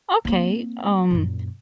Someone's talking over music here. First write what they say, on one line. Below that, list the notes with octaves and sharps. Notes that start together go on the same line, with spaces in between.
Okay. Um,
A#3 C4
F#2 A#2